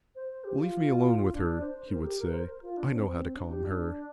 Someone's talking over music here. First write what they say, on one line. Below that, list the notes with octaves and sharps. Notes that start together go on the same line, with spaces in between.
"Leave me alone with her," he would say; "I know how to calm her."
C5
G4
F4
D4
C5
A#4
G4
A#4
C5
A#4
F4
D4
C4
C4
D4
G4
D4